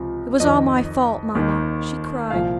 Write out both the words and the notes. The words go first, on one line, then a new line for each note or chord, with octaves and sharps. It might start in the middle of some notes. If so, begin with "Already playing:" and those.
"It was all my fault, Mamma!" she cried.
Already playing: C#2 C3 F3
F2 D#5
D#3
D#2 D#3
C2 A#2 F3 F5